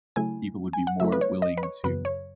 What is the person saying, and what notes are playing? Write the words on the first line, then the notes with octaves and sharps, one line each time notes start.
people would be more willing to,
C#3 F#3 A3 E4 G#5
G#5
F#5
C#3 F#3 A3 E4 E5
B4
C#5
D#5
B4
C#5
F#2 C#3 F#3 B4
C#5